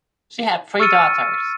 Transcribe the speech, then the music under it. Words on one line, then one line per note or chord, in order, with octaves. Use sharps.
She had three daughters.
C#6 E6 F6 A6 C#7 D#7